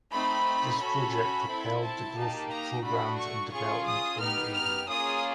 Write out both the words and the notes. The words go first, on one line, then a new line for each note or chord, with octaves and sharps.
This project propelled the growth of programs and development in the area.
A3 C4 D#4 B5
C#4 F#4 A4 B5
C4 E4 A4
A5
A#3 D#4 G4
A#5
A3 D4 F#4 B5
C#6
C#4 F4 G#4 C#6
D#6
B3 D#4 G4 F6
F6
A#3 C#4 F4 G#4 D#6